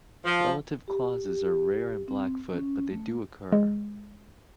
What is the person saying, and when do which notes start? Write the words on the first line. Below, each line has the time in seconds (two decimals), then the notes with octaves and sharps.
Relative clauses are rare in Blackfoot but they do occur.
0.25 F3
0.88 G4
1.26 G4
2.08 C4
2.51 C#4
2.90 A3
3.52 G#3